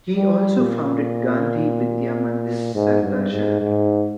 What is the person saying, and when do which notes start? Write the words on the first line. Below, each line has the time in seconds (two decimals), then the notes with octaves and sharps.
He also founded Gandhi Vidya Mandir Sardarshahar.
0.16 G3
0.58 A#2
2.75 G#2
3.03 G2
3.32 G#2
3.61 G#2